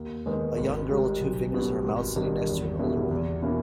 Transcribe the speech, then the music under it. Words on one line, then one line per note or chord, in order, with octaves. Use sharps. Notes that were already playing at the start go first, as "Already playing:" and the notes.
A young girl with two fingers in her mouth sitting next to an older woman.
Already playing: D#2
D#3 G#3 B3
G#1
G#2 G3
B1
B2 G3 B3
G#1
G2 D#3 G3
E2
B2 G3 A#3 E4
E2
B2 A#3 C#4 E4